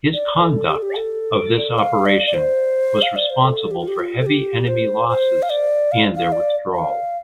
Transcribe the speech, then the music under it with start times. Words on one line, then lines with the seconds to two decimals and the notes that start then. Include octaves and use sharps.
His conduct of this operation was responsible for heavy enemy losses and their withdrawal.
0.14 D5
0.41 A4
0.68 G4
0.76 A4
0.82 G4
0.96 A4
1.78 F5
2.06 D5
2.27 D5
2.34 C5
3.02 F5
3.16 D5
3.30 C5
3.44 A4
3.71 G4
3.79 F4
3.88 G4
3.99 F4
4.20 A4
4.26 G4
4.67 C5
5.09 C5
5.42 F5
5.50 D5
5.92 F5
6.16 F5
6.32 D5
6.74 F5